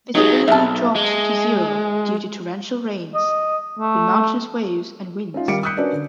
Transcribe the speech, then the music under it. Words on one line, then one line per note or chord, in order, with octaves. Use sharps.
Visibility dropped to zero due to torrential rains, with mountainous waves and winds.
B2 F#3 D#4 G#4
B1 E5 A5
G#3
D#5
A3
C#4 D#4 F4
D#3 G3 F5 D6 C#7 D7
D#6 E6 F#6 G6 B6 C#7
C#4 D4 F#4 A#4 B4 D5
D3